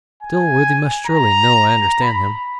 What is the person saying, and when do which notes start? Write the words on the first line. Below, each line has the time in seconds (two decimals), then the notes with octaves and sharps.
Dilworthy must surely know I understand him.
0.23 G#5
1.07 A#5
2.02 B5